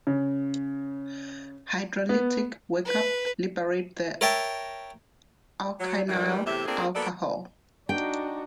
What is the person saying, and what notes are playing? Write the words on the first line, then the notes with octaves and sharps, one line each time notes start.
Hydrolytic workup liberate the alkynyl alcohol.
C#3
B3
B4
A#4 C#5 E5 G5 A5
F#3
G2 A#2 E3 G3
E2 A2 C3 G4 E5
A3 A#3 C4 D4 F4 G#4
A#3 B3 F#4 A4 D5
D4 D#4 F#4 G5